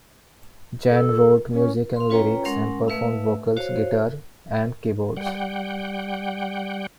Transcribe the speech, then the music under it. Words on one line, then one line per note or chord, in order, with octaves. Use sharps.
Jan wrote music and lyrics and performed vocals, guitar and keyboards.
A4
C#4
F5 C6
C#4 F4 B4 C#5 G5 A#5
G#3 C#4 A#4 F#5 C6
A3 B4 E5 F5 E6
F#4 C5 C#5 F5
G3 F#5 G5